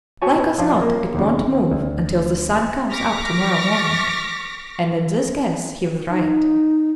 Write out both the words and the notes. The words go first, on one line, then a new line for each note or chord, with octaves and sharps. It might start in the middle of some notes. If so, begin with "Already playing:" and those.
"Like as not it won't move until the sun comes up tomorrow morning," and in this guess he was right.
F#4 C#5 G#5 A5
B4
F3 C#4 D4 F4
A#3
D#2 C#3
D2
C#6 D6 F6 A#6 B6
D#4